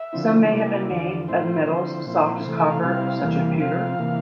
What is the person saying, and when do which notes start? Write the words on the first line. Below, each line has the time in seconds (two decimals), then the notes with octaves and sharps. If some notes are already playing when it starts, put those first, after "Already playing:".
Some may have been made of metals soft as copper, such as pewter.
Already playing: E5
0.13 D3 F3 C4 E4
0.51 C3 G3 A#3 E4 D5
0.90 E2 D3 F3
1.28 A2 F3 C4 E4 C5
1.67 D3 F3 C4 E4
2.06 A#2 F3 C4 E4
2.44 C3 E3 A3 C5
2.57 E5
2.70 F5
2.82 C3 G3 C4 E4 F5
3.21 E2 C3 E3 G3 A#3
3.60 C3 F3 C4 F5
3.99 C3 E3 A#3